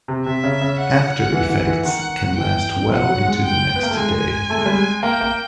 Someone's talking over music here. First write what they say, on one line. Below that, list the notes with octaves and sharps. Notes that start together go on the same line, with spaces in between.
After effects can last well into the next day.
C3
C3 E5
C#3
C#3
F#5
E3
E3
E3
D#3 F#5
E3 G5
F3 F#5
F#3
G#3
G5
B3
A#3
A3
G#3 G#5
A3
G#3
G3
G#3
A#3 G5
A#3